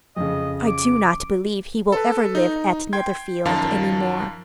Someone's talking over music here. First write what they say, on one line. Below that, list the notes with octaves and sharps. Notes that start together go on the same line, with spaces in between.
"I do not believe he will ever live at Netherfield any more."
F2 C#3 D#5
D6
A4 B4
D#4
G5 C6 G#6
F#2 D#3 F3 F5 A5